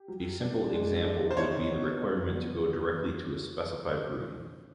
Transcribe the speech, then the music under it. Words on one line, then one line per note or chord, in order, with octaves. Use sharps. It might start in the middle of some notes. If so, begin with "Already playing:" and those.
A simple example would be the requirement to go directly to a specified room.
Already playing: G4
F#3
D4
G#3
D4
C5
D#4 C#5
B3
D4
B3